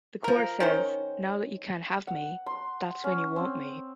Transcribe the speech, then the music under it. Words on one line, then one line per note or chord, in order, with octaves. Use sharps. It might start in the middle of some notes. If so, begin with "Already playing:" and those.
The chorus says Now that you can't have me, that's when you want me.
F3 A#4
D#3 C#4 C5
F#5
C6
C#4
C4